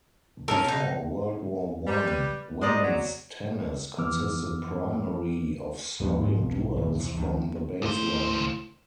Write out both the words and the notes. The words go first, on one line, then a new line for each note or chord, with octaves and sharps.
Before World War One, women's tennis consisted primary of slogging duels from the baseline.
C#4 D#4 A4 A#4
B2 D#4
G3
B4
G3 G#3 D5 D#5 A#5
F#3
F2 E3 B3 D6 E6 F6
D#2 F3 C#4
G#2
B1
D#1 D#2
E2 C3
D2 D#3
D#2 A2 C5